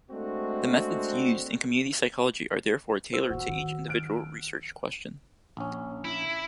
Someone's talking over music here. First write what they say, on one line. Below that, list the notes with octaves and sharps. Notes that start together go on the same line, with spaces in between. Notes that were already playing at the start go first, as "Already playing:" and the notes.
The methods used in community psychology are therefore tailored to each individual research question.
G#3 A3 C4 D4 F#4
C5 E6
D#3 A#3 F#4
D#3 F#3
F6 F#6 D7
A#1 C#4
E4